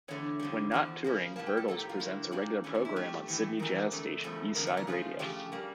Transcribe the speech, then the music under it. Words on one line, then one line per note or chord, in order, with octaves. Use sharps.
When not touring, Bertles presents a regular program on Sydney jazz station Eastside Radio.
E2 D3 A3 C#5
F2 D3 G3
E2 D3 F3
C#3 F3 A#3
A2 G3 A#3 A5
G5
A4
A2 F3 A#3 A4
G4
F4
G2 D3 G3 A#3 E4
A#2 G3 A#3 D4
E2 E3 A3 C#4
D4
E4
G2 F3 A3 G4
A2 E3 A3
E2 E3 G3 A#4
F2 D3 A3
E2 C#3 F3 A3
F2 D3 F3 A3 A#4
C#5
A#4
C#3 F3 A3 F4
C#3 F3 A3 G4
C#3 G3 A#3